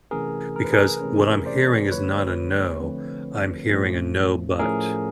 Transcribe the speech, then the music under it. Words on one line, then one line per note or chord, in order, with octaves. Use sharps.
because what I'm hearing is not a no. I'm hearing a no, but.
C3 E3 A3 C#4 G#4 A#4
A#4
B4
G#4 A#4
C3 E3 A3 C#4
C5 D5
D3 F3 A3 C4 B4 C#5
D3 F3 A3 C4
A2 F3 A3 C#4
A2 F3 A3 C#4 G#4 A#4